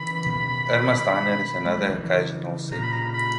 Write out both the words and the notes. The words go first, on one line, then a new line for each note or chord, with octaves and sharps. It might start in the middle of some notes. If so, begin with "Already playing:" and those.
Irma's Diner is another occasional setting.
Already playing: C#3 E3 B5
B2 D#3
G#3
F#3
C#3 E3
A#2 C#3 A#5
B5
A#5
B5